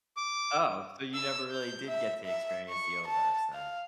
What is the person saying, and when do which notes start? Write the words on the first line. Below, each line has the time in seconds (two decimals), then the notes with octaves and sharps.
Oh, so you never really did get to experience the Ozarks then?
0.17 D6
1.14 E6
1.51 G6
1.87 E5
2.26 E5
2.69 C#6
3.08 A5
3.54 F5